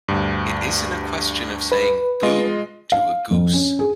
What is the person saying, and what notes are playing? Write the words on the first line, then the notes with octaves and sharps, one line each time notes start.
It isn't a question of saying 'boo' to a goose.
D2 G2
B4
G#3 F4 D#5
F5
F2
C#4
G#4